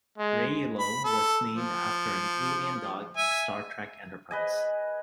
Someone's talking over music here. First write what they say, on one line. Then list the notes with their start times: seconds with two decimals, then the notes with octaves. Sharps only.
Railo was named after an alien dog in Star Trek Enterprise.
0.18 G#3
0.79 B5
1.04 A4
1.54 F3
3.17 E5 G#5
4.31 B4 D#5 G#5